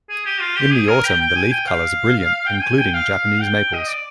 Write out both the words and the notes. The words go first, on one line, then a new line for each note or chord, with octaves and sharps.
In the autumn, the leaf colours are brilliant, including Japanese maples.
G#4
G4
F4
G4
G#4
A#4
G5
G5
G#5
G5
F5
G5
G#5
G5
F5
F5
G5
D#5
D5